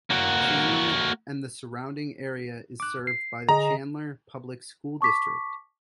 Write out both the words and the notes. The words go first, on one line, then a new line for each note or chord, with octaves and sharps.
Chandler and the surrounding area is served by the Chandler Public School District.
A#3 F#4
D6 F#6
C7
D3 G#4 D#5 A#5
A5 C#6 D6 B6